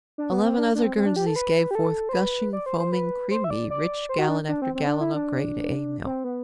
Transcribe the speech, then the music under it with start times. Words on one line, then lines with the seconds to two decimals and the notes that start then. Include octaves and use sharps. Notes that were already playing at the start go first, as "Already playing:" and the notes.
Eleven other Guernseys gave forth gushing, foaming, creamy rich gallon after gallon of Grade A milk.
0.18 D4
0.31 B3
0.44 C4
0.58 D4
0.75 D4
0.83 C4
0.97 C4
1.06 D4
1.16 G4
1.26 A4
1.36 B4
1.71 G4
1.75 A4
2.09 C5
2.13 B4
2.53 D5
2.66 C5
2.79 C5
2.92 B4
3.31 C5
3.44 E5
3.50 D5
3.70 D5
4.09 C5
4.19 F#4
4.29 D4
4.49 D4
4.62 C4
4.75 C4
4.87 D4
5.01 E4
5.14 D4
6.06 C4
6.24 B3